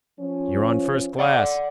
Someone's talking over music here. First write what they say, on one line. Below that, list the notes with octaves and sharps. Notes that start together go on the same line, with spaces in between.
"You're on first-class."
F3 C#4
D5 F#5